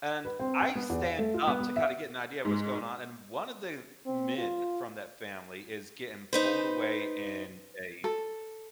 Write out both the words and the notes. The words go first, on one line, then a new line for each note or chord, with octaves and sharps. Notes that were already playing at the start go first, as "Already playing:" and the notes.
and I stand up to kinda get an idea of what's going on, and one of the men from that family is getting pulled away in they
B4
C4
G5
B3
E2
F5
A3
F4
B3
B3
E5
G#2
C4
F4
D#4 B4 C5
A4